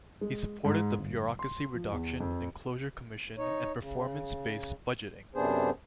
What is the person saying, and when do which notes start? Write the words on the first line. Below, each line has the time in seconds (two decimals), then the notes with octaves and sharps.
He supported the Bureaucracy Reduction and Closure Commission and performance-based budgeting.
0.21 G#3
0.65 G#2
0.98 G1
1.39 C6
1.74 F3
1.91 E2
2.20 F2
3.38 D#4 C#5
3.80 C#3
5.35 F#2 C3 B3 D4 G#4 C5